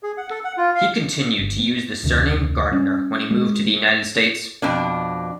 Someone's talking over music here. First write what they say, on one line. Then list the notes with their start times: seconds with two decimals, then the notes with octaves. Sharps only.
He continued to use the surname Gardiner when he moved to the United States.
0.03 G#4
0.18 F#5
0.31 A4
0.44 F#5
0.57 F4
0.75 F5
1.39 G1
1.59 B3
2.03 F1 D2 C3 D#3
2.72 G3 C#4
3.31 G#3
4.62 F2 B2 D4